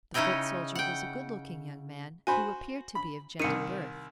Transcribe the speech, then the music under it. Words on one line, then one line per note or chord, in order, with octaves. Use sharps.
The foot soldier was a good-looking young man, who appeared to be of gentle birth.
C#3 C#4 D#4 E4 D#5 G5
F#5 G5
F#4 C5 G#5 B5
B5
C2 D#3 C#7 D#7